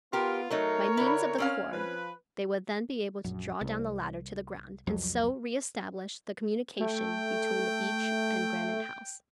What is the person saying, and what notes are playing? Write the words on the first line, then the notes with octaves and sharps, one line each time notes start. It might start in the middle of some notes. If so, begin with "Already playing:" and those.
By means of the cord they would then be able to draw down the ladder to the ground, and so re-establish the communication between the beach and Granite House.
B3 F4 G4 A#4
F#3 A3 D#4 A#4 C#5
D3 E4
C4 C#4 F5
F3 B4
A#1 F#2
C2
C2 F2 F#3
A3 G5